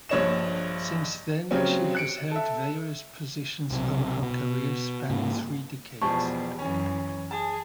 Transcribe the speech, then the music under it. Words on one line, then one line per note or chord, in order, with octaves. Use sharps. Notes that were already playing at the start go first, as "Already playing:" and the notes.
Since then she has held various positions over her career spanning three decades.
A#1 G2 C#5 D#5 E7
C#3 F#3 G3 C4 C#4
F#6 C#7 D7
A4 E5
B1 C3
B2
G#2 C#3 A#3
E2 B2 F3 G3 A5 C#6
F#2 E3 C#4 G#5
G#4 A5